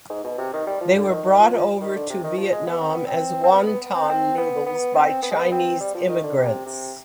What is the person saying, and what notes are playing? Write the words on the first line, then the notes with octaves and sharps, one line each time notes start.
They were brought over to Vietnam as wonton noodles by Chinese immigrants.
G#2
B2
C3
D#3
G3
F3
D3
D#3
D#3
F3
F3
D#3
D3
C3
D#3
F3
G#3
B3
C4
B3
C4
C4
B3
B3
C4
C4
B3
B3
C4
B3
G#3
B3
C4
G3
F3
D#3
D3
C3
C3